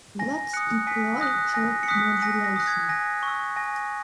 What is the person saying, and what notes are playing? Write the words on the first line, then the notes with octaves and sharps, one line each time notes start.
Let's deploy chirp modulation.
G#5 A#6
D#6 F#6 C#7
G#5 B6
D#6 F#6 A#6
G#5 A#6
C#7
D#6 F#6 B6
G#5 A#6
A#6
D#6 F#6
G#6
G#5 A#6
C#6 E6
G#5 A#6